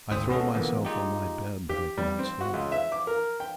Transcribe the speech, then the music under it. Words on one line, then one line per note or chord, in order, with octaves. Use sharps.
I throw myself on my bed; but I cannot sleep.
G#1 D2 G#2 C4 C5 D#6
G#3 B3 C#4 F#4 G#4 A4
B2 D3 E3 F3 A#3 B3
G#3 D#4 F4 G4
G4
G3
C4
F#4
C#2
E5
D6
A#4
G5